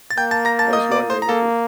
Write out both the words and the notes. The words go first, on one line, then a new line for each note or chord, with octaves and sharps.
I was wondering if you
A6
A#3 G5 G6
A5 A6
A#5 A#6
A5 A6
D#5 D#6
D5 D6
C5 C6
A#5
A#3 A4 A5